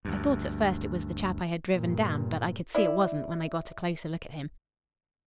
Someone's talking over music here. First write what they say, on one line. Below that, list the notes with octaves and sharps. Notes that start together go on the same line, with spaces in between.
I thought at first it was the chap I had driven down, but I could see it wasn't when I got a closer look at him.
D2 G2
G2 A#2
E4 D5